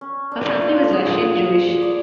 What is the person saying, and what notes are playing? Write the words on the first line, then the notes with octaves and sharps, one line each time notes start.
Her family was Russian Jewish.
C#4
D4
F4
A4
G#4
D5